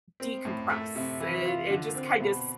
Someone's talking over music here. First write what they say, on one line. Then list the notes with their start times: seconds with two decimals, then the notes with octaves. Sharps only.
decompress. It it just kind of, s
0.20 C4
0.45 A2
0.70 A3
0.96 C3
1.20 E3
1.45 F4
1.70 D3
1.95 C4
2.20 B2